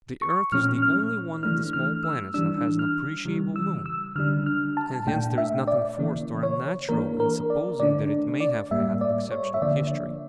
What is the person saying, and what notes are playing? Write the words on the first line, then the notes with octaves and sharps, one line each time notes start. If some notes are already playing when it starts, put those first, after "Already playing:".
The earth is the only one of the small planets that has an appreciable moon, and hence there is nothing forced or unnatural in supposing that it may have had an exceptional history.
C#6
A#2 F3 A3 C#4 F6
F6
E3 A3 D4 F6
F6
E6
E3 G3 D4 E6
F6
C#3 E3 G3
E6
E6
D3 G3 D4 F6
F6
A5
A#2 A3 D4 G5
E5
D5
C#3 E3 A#3
C#5
E3 A#3 D4 A#4
A#4
D5
D3 A3 D4 D5
D5
A2 G3 A#3 E5
D5
C#5
E5
D3 F3 A#3 D5